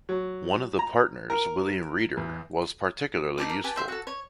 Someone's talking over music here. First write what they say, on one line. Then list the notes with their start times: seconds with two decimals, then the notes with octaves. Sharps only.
One of the partners William Reader was particularly useful.
0.09 F#3
0.79 A#5
1.30 A#4
2.17 E2
3.38 D#4 C#5 A5 D6
3.49 A#4
3.64 G4 B4 G#5 A5
3.76 C5 E5 C6
3.88 F#4 A4
4.07 C#5